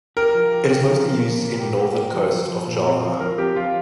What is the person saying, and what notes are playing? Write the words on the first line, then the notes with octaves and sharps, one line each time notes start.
It is mostly used in northern coast of Java.
G4 A#4
F3
G4
G4
F3
F3
A#2
A#2
G4
G4
G4
F3
F3
F3
A#2
C4
F3
F3 A#4
C4 G4
F3 F4